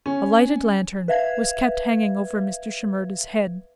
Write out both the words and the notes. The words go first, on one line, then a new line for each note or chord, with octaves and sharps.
A lighted lantern was kept hanging over Mr. Shimerda's head.
C#4
B4 E5 F5 G#6